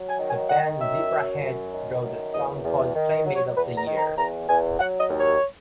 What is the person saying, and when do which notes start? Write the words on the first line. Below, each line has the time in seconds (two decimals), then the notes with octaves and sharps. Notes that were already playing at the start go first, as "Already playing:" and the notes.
The band Zebrahead wrote a song called Playmate of the Year.
Already playing: F#3
0.09 G#5
0.19 D#3
0.29 G#5
0.49 D#3 F#5
0.80 F#2 E5
1.10 F#3
1.42 F#2
1.72 D#3
2.03 F#2
2.33 E2 D#5
2.64 E2
2.95 D#3
3.26 F#3
3.36 C#5
3.56 E2 B4
3.77 A#5
3.87 D#3
3.98 A#5
4.17 E2 A#5
4.48 E2 G#5
4.79 F#3 F#5
4.99 D#5
5.10 D#2
5.20 C#5